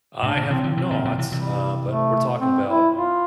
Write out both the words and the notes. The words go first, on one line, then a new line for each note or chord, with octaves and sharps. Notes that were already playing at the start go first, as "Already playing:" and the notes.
I have not, uh, but we're talking about
A2 C3 D4
A#2 D3
C3 E3 C4
D3 F3
C3 E3 C4
A#2 D3
A#2 D3
C3 E3
C3 E3 G3
A3
C4
E4
F4